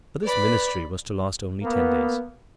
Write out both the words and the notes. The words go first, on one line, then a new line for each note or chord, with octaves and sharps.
But this ministry was to last only ten days.
B4 D5 B5
A#3 B3